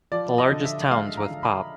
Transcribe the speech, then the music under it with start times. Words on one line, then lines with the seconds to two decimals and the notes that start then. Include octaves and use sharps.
The largest towns with pop.
0.12 F3 D5
0.38 D#5
0.51 D3
0.65 E5
0.90 G#3 F5
1.17 A#5
1.30 D3
1.43 B5